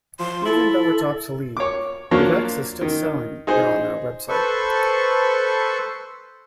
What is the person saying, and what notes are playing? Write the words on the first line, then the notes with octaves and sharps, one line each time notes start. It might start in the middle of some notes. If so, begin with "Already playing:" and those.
Even though it's obsolete, DivX is still selling it on their web site.
F3 C6
E4 A4
C#5 D6
F3 F#3 A#3 D4 C#5
D#3
D#4 G#4 C5
A4 B4 C5 C#6